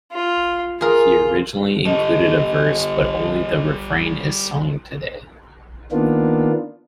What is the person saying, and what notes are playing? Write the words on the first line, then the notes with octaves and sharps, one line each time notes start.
He originally included a verse, but only the refrain is sung today.
F4
F4 G#4 A#4
G3 A4 D#5
D#3 A#3 B3 D4 F4